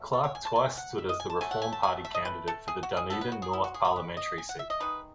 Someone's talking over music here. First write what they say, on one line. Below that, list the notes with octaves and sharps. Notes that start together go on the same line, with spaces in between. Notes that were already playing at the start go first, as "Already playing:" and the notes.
Clark twice stood as the Reform Party candidate for the Dunedin North parliamentary seat.
Already playing: B2 F#3 A3
A4
C#5
G#5
A5
G#5
F#5
E5
D#5
G#5
A5
F#3 A3 G#5
F#5
G#5
A5
G#5
E5
D#5
B4
A4
G#4
F#4
G#4
D#3 F#3 B3 A4
B4
F#4
G#4
E4
F#4
G#4
G#4
B4
D#5
G#5
F#5
E5
D#5
D#3 G#3 D#4 B4